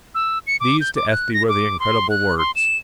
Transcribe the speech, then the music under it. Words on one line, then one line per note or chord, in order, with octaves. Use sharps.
These to Ethne were the incredible words.
E6
C#7
D6
G6
D6
F#6
A#6
D6
C6
F#6
C6
E7